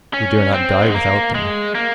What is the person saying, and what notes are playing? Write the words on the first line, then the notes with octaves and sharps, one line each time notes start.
We dare not die without them.
C#4
C4
G#3
A#3
G#3
A#3